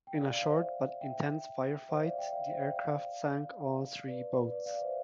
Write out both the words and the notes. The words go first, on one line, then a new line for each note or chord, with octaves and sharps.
In a short but intense firefight, the aircraft sank all three boats.
G5
D5 F5
D5 F5
C5 E5
E5 G5
C5 E5
D5 F5
E5 G5
D5 F5
C5 E5
E5 G5
D5 F5
B4 D5
B4
B4 D5
D5 F5
C5 E5